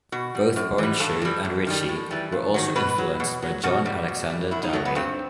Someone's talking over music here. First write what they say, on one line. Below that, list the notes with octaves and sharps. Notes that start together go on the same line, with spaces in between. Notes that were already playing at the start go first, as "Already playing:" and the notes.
Both Hornshuh and Richey were also influenced by John Alexander Dowie.
B2 F#4
G3
F#2
E3 G3
G2 A4
E3 G3
F#2
D#3 G3
A2
E3 G3
G2
D#3 F#3
B2 B4
F#3
B2
F#3
B2 F#4
G3
B2
G3
E2 E4
D#4
B2 F#3 A3
B3
G2 C4